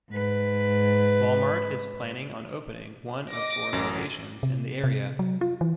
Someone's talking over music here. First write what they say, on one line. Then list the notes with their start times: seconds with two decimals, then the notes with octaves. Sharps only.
Walmart is planning on opening one of four locations in the area.
0.10 G#2 B4
3.31 D#5 D6 A#6
3.73 A1 F#2
4.43 C3
4.84 C3
5.19 F#3
5.41 F4
5.61 E3